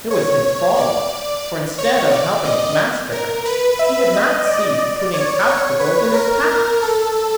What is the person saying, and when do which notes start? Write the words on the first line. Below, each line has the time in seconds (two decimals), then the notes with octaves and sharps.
It was his fault, for, instead of helping his master, he had not ceased putting obstacles in his path!
0.11 C#5
0.77 D5
1.78 C#5
2.11 D5
2.45 D#5
3.12 A#4
3.45 B4
3.79 E5
4.13 D#5
4.47 D5
5.14 C#5
5.47 C#5
5.80 B4
6.14 A#4
6.81 A4